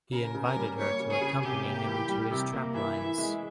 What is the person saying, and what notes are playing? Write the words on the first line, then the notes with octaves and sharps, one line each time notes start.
He invited her to accompany him to his traplines.
C#3 A#4
C#3
A#4
G3
A#3 C#5
C#3
G#4
C#3
C3 G4
A#3
E3
G3
C3
A#3
E3 E5
E3
G#3